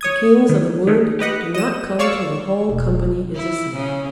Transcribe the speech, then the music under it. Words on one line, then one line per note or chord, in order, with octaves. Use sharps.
"The kings of the wood do not come till the whole company is assembled."
C#5 D#6 G#6
D#3
D#3 G#3 A3
G4 B4 D#5 F#5
D#5 E7
C#5 D5 F5 C#6 E6
E1
E4
C#3